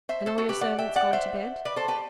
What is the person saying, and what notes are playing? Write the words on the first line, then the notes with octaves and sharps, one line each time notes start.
"And all your servants gone to bed?"
C5 E5
A4 C5
F#4 A4
G4 B4
D5 F#5
E5 G5
D5 F#5
C5 E5
B4 D5
A4 C5
G4 B4